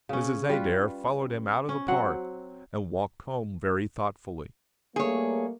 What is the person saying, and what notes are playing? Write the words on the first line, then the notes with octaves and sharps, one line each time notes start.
Mrs. Adair followed him out of the park, and walked home very thoughtfully.
C#3 C#4
G3 F4 B4
C#4
F#3 C4 F#5
G3 A3 A#3 G#4 C#5